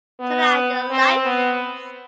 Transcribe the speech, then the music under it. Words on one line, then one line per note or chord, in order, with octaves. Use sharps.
Turn out your lights.
B3
C4
B3